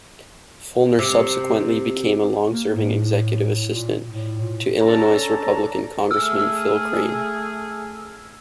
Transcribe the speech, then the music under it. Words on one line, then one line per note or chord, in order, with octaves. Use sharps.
Feulner subsequently became a long-serving executive assistant to Illinois Republican congressman Phil Crane.
C3
A#3
A2
A#2
A2
A#2
C#4 D4 A4 A5 A#5
A3 G#4 E6 F6